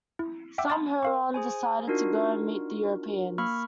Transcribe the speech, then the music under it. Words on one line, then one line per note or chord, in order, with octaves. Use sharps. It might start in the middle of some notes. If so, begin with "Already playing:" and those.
Some Huron decided to go and meet the Europeans.
E4
E5 F#5 G5 D6 E6
A5 B5 C6 F6 A6
A#4 F5 C#6
G#4 C5 G#5
D4 D#4 F4 F#4 A#4
A#3 B5 C#6 F6